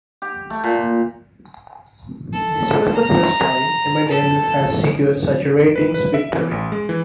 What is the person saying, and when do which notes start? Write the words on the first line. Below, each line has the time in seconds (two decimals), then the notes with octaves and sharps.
This was the first time "Emmerdale" has secured such a ratings victory.
0.22 G4
0.50 A3
0.64 A#2
2.33 A4
2.95 A#5
4.09 A4
5.76 B4
5.94 B4
6.14 E5
6.33 E3
6.51 A1
6.72 G#3
6.89 E3